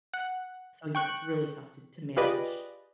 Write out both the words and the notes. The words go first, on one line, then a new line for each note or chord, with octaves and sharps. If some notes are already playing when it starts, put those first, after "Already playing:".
so, yeah, it's really tough to to manage.
F#5
G5 C#6 F#6
F4 G4 G#4 B4 D5 D#5